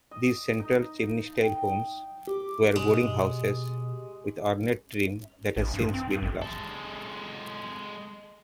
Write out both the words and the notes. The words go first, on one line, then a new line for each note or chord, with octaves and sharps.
These central-chimney-style homes were boarding houses with ornate trim that has since been lost.
D#5
D#4
G5
G4 D6
B2 G#3
A1
G2
C4
G2
A1
G#3 A4